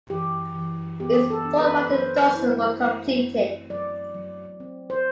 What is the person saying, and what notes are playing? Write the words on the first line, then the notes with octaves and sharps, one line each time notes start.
It's thought about a dozen were completed.
E3 G4
E3
B3 G4
A4
D4
B4
F#3 C5
E4
A3
C4
F#3 D5
F#3
C4
C5